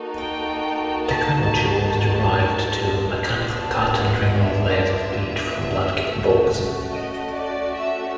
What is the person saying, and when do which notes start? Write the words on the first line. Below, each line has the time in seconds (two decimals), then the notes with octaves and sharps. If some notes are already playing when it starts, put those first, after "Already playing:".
Technology was derived to mechanically cut and remove layers of peat from blanket bogs.
Already playing: A#3 D#4 F#4 A4
0.18 G5
1.03 A5
1.45 A5
2.71 B3 D4 F4
3.55 A5
3.98 F#5
4.40 E5
4.68 D5
4.96 E5
6.08 A3 C#4 F#4
6.93 D#5
7.35 D5
7.77 E5